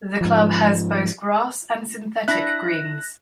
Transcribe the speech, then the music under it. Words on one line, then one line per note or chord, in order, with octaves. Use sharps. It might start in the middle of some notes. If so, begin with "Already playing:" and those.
The club has both grass and synthetic greens.
G#2 F3
D4 E4 E5 F#6 A#6